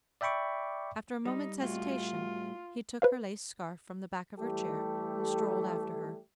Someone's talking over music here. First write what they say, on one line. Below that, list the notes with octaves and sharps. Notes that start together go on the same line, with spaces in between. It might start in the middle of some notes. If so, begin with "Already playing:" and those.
After a moment's hesitation he took her lace scarf from the back of her chair, and strolled after her.
D5 E5 G5 B5 C#6 D6
G3 D#4
A2 F4 F#4
B4 C5 F5
E3 G3 A3 G4 A4